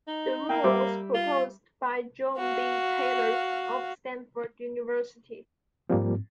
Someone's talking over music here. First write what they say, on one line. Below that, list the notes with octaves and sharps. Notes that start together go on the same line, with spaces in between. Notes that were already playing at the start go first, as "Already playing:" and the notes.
The rule was proposed by John B. Taylor of Stanford University.
D#4
A#3 G5
G3 E5 D6
F4
F#4 F5
G#2 F3 G3 A#3 C4